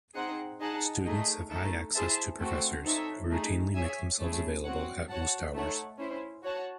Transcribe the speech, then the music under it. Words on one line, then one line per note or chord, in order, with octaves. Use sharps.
Students have high access to professors, who routinely make themselves available at most hours.
C4 D#4 G#4 C5 F#5
D#4 G#4 D#5 F#5 A5
A3 D#4 G#4 D#5
A3 D#4 A4
E4 G#4 C5 E5 A5
A3 C4 F#4 A4
C4 D#4 A4 C#5 E5
A3 D#4 G#4
G#4 C#5 E5 G#5
A3 C#4 E4 G#4
C4 F#4 C#5 F#5
F#4 C#5 F#5 A5
A3 D#4 A4 C#5 F#5
C#4 E4 C5
F#4 C#5 F#5 A5